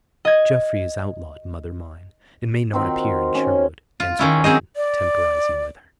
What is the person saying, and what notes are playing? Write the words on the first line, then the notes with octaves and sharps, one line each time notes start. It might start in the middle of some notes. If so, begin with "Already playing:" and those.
"Geoffrey is outlawed, mother mine, and may not appear in Sherwood," answered Robin, temporizing with her.
D#5 G#6
D#3 C4 F#4
C#4
F4
D#3 C#4 E4
F#3 C4 G#4 C5 D#5
D5